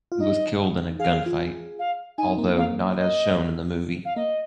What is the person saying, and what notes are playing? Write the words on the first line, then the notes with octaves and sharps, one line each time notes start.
He was killed in a gunfight, although not as shown in the movie.
F4
D#4 D#5
G#4 F5
G#4
F4
F5
D#4 G#5
C4
A#3
C4
A#3 F5
D#5
F5
A#3 D#5